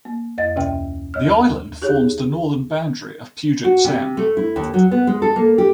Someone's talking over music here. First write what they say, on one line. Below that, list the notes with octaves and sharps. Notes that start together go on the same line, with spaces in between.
The island forms the northern boundary of Puget Sound.
A#3
F2 D#5 A6
D2 C3 E5 G5
D#2 C#5 F6
D#4 G4 G#4 C#5
F#4
C3
A3
E4
D#2
F#3
B3
G#3
A4
A#3
G4